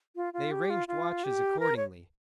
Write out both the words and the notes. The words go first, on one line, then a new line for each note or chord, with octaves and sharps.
They arranged watches accordingly.
F4
F4
G4
F4
F4
G4
A#4
C#5